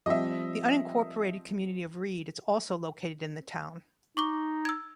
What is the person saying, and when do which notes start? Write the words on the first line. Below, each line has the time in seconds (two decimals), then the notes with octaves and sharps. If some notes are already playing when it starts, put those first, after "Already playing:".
The unincorporated community of Reed is also located in the town.
0.06 F3 G3 C4 D#5 E5
4.17 D#4 C#6 D6 G7
4.65 E6 G#6